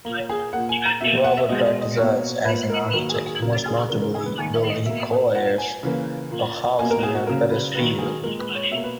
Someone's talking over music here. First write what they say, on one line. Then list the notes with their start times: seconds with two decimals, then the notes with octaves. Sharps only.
Robert practised as an architect, most notably building Collyers, a house near Petersfield.
0.05 A#2 A#3
0.30 G#4
0.53 A#2 A#3 F#5
0.69 G#5
0.85 A#5
1.01 B2 A#3 E5
1.24 F#5
1.37 E5
1.49 B2 G#3 D#5
1.66 D#5
1.81 D#5
1.97 B2 A#3 C#5
2.45 A#2 A#3 B4
2.69 A#4
2.89 B4
2.93 D#3 F#3 A#3 A#4
3.09 G#4
3.26 G#4
3.42 C#3 F#3 A#3 A#4
3.66 G#4
3.89 C#3 E3 G#3 A#4
4.02 A#4
4.15 G#4
4.26 B4
4.38 D#3 A#3 G#5
4.55 E5
4.70 D#5
4.86 B2 A#3 E5
5.34 A#2 A#3 F#5
5.58 G#5
5.83 C#3 E3 A#3
6.30 A#2 A#3
6.79 B2 A#3 G#5
6.91 A#4
7.03 G#4
7.15 F#4
7.27 C#3 F#3 A#3 A#4
7.50 B4
7.75 D#3 F#3 A#3 B4
7.99 G#4
8.23 A#2 G#3 A#4
8.39 B4
8.55 C#5
8.71 B2 E5
8.76 A#3
8.84 B4